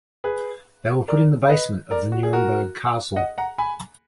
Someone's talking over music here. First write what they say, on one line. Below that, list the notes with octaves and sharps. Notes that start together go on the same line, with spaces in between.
They were put in the basement of the Nuremberg Castle.
G#4 B4
A#4 D5
B4 D#5
A#4 D5
F#4
G#4
F#4 A#4
D#5 F#5
F#5 A#5
G#5 B5